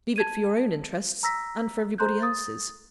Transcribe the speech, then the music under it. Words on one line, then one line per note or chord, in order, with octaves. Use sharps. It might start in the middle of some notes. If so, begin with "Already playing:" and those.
Leave it for your own interests and for everybody else's.
A5 G#6 D#7
A#5 E6 A#6 B6
A4 C5 A#5 C6 F#6 G6
D#6 A6